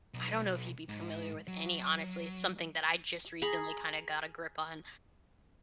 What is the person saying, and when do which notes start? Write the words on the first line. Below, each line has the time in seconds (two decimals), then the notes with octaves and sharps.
I don't know if you'd be familiar with any, honestly, it's something that I just recently kinda got a grip on.
0.14 B1
0.89 G#2
1.48 F#3
3.42 G#4 A#5 B5 C#6